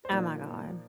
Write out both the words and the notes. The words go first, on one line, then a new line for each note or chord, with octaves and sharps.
Oh my god.
C5
A#2 F3 A#3 D#4 D5